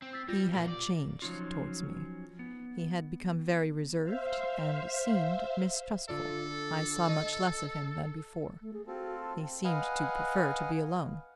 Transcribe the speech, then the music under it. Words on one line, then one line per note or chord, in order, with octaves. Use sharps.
He had changed towards me; he had become very reserved and seemed mistrustful. I saw much less of him than before; he seemed to prefer to be alone.
C4
E6 A6 B6
G3 F4 G6 A#6
A#2 A#3
D5
F3 F#3 G#3 C#4 D#4 F4
B3
C5 E5 F5
D3 F4 A4 D5
D#5
A3
G#4
C4 F4 F#4 A4
A5
B4 D#5 F5 F#5 G#5